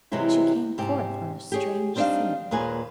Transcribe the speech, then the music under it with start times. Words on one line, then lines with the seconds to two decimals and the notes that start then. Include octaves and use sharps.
But she came forth on a strange scene.
0.12 C3 E3 F#3 G#3 E4
0.78 G#2 C3 G4
1.52 G4 G#4 C#5
1.96 G3 C4 D4 D#4 D5 F5
2.51 D#2 A#2 G#4 B4 G#5